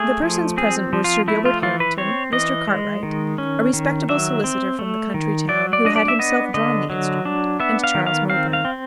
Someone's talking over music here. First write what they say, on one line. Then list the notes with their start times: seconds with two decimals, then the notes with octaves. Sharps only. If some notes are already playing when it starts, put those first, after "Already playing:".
The persons present were Sir Gilbert Harrington, Mr. Cartwright, a respectable solicitor from the country town who had himself drawn the instrument, and Charles Mowbray.
Already playing: A3 G#4
0.22 F3
0.57 C4 G#4
0.93 F3
1.04 F4
1.28 A3 E4
1.45 F4
1.62 E3 F4
1.80 B4
1.98 C4 C#5
2.32 E3 D#5
2.68 G#3
3.03 D#3
3.38 C#4
3.73 D#3
4.09 F#3 E5
4.44 C4
4.79 A3
5.14 D#3
5.49 F#3 D5
5.73 D5
5.85 D4 D#5
5.96 D5
6.08 E5
6.19 B3 D#5
6.54 D3 D#5
6.90 F#3
7.25 D4
7.60 B3 E5
7.84 F5
7.94 D#3
8.07 F5
8.30 C4 F5
8.53 F5
8.65 C4